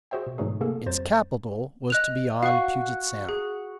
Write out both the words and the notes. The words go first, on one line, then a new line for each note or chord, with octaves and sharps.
Its capital was to be on Puget Sound.
F#4 G#4 C5 E5 G5
B2
G#2 B2 E3 F#3 A3 G#4
C3 A3 A#3 G#4 A4
F2 F#3 C5 A6
D#5 F#6 F7
F#4 F5 C#6
G#4